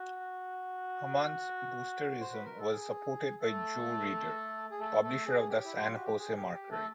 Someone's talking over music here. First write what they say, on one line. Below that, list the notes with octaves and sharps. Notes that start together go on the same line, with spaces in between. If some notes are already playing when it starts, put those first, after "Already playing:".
Hamann's boosterism was supported by Joe Ridder, publisher of the "San Jose Mercury".
Already playing: F#4
C5
B4
A#4
A4
G#4
A3 A4
G#4
A3 A4
A3 A4
G#4
G4
E4
F4
F#4
G4
G#4
G4
G4
A3 A4